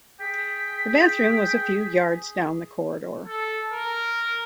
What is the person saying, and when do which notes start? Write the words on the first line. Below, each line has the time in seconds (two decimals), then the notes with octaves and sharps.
The bathroom was a few yards down the corridor.
0.20 G#4 G5 B6
3.27 A4
3.73 A#4